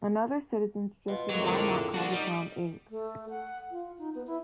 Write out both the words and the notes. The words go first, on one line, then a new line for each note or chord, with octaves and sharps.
Another citizen suggested why not call the town Ink?
B2 F4
F2 A2 F#3 G#3 A#3 G4
D3 C4 G#4 A#4
A#2 D#3 G3 D4 F#4
G3 D#4 D5 D#5
A3
F#5
F4
D#4
B3
E4